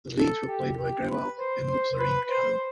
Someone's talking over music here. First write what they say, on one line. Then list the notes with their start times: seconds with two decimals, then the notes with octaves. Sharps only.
The leads were played by Grewal and Zareen Khan.
0.19 A4
0.48 G4
0.78 G4
1.09 B4
1.39 C5
1.69 C5
1.99 B4
2.29 C5